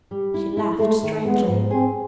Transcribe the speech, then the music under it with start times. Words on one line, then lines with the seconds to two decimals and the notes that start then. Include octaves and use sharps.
She laughed strangely.
0.11 G3
0.34 E4
0.57 E4
0.79 G#3 A3
1.03 D#3
1.25 G#3 B3
1.47 G#2
1.71 C4 G#4